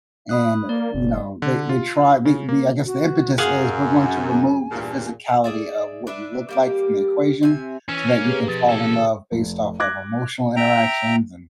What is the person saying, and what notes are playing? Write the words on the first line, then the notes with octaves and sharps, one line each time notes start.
and, eh, you know, they they try the the I guess the impetus is, "We're going to remove the physicality of what you look like from the equation so that you can fall in love based off of emotional interactions and
B5 D#6 F#6
A#3 D5
F#1
D3
F4
C#3
A#3
F#4
F#2 G#4 F5 F#5 G#5
E2 G2 A#2
G#4 D5 E5
D4 B4 E5
G3 A#3 G4
C3 C4 E5 G#5
E3 C#4
A#3
G4 G#4 B4
F2 B2 A6
E2 C#4 A4
F1
D6 F#6 G#6 A#6
E5 G5 A#5